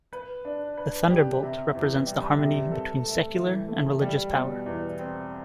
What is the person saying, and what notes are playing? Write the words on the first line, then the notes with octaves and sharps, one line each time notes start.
The thunderbolt represents the harmony between secular and religious power.
B4
D4
B4
G4
C3
E2
G3
C3
A4
A3
E3
A3
G3
B2
E2
C4